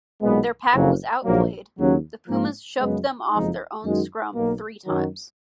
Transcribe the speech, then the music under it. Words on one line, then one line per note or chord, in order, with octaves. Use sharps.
Their pack was outplayed; the Pumas shoved them off their own scrum three times.
B1 A#2 G#3 B3
F#1 F2 C#3 F#3 A#3
A#1 G#2 F#3 A#3
D#2 C#3 F#3 C#4
G#2 F3 A#3
F#2 C#3 G#3 B3
F#1 F2 F3 G#3 D#4
F#2 D#3 G#3 D#4 F#4
B1 B2 A#3
F#2 D#3 F#3